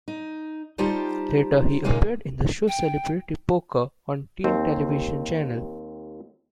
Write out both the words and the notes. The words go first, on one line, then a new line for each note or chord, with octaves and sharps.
Later, he appeared in the show Celebrity Poker on Tien television channel.
D#4
G3 D#4 F4 G4 C5 A5
A#2 C#3 G#3 A#3 D#4
G5
D#2 C4